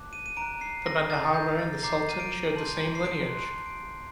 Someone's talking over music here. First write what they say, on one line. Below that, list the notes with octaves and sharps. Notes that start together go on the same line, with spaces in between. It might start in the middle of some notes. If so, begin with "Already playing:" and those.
The bendahara and the sultan shared the same lineage.
Already playing: A5 D6 F#6
D#7
D#7
A#5 F#6 D7
C7
A#6
A#5 D6 G6 A6
G6
A6
A#5 D6 G6 C7
D#7
D7
A5 C6 G6 F#7
F#7
C7
D7
C6 F#6
D7